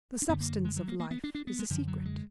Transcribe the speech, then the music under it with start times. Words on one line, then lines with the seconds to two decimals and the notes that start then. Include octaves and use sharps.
The substance of life is a secret.
0.22 D4
0.29 F#2 D3 B3
0.40 A#3
0.65 G#3
0.76 F#3
0.88 A#3
1.00 A#3
1.11 B3
1.24 D4
1.35 D4
1.47 B3
1.59 G#3
1.70 F#2 D3 F3
1.88 F#3
2.05 G#3